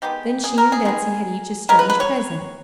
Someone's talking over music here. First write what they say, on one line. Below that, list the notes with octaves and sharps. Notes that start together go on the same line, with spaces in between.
Then she and Betsey had each a strange present.
D#3 G#3 B3 G4
G#4
A#4
G#4
D#3 G#3 B3
C#3 G#3 B3 A#4
B4
B4
C#5